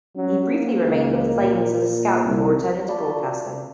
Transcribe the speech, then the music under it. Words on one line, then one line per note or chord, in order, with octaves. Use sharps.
He briefly remained with the Flames as a scout before turning to broadcasting.
F#3 C#4
A#3
C#2
A#2
C2
F4 F#4 D5 F5 A5 B5